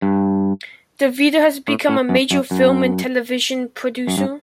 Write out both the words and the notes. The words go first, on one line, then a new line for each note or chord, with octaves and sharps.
DeVito has become a major film and television producer.
G2
A2
A2
F#2
F#2
F#2
F#2
G2